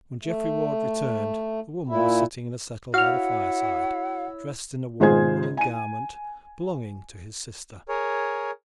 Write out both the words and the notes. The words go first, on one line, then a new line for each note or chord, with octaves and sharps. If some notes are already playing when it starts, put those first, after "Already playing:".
When Geoffrey Ward returned, the woman was sitting in a settle by the fireside, dressed in a warm woolen garment belonging to his sister.
A3
A#2 E4
E4 F#4 C#5 F5 F#5 E6 F6
G#1 G#3 F4 G#4 C5 G#6
G#5 D#7
G#4 A#4 C#5